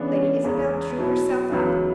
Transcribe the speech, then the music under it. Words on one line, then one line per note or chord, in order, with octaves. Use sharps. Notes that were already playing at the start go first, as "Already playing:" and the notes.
Lady Isabel drew herself up.
Already playing: C#3 E3 B3 C#4 D4
E2 C#3 G#3 C#4
B2 F#3 B3 E4
C#2 C#3 E3 F#3 B3 E4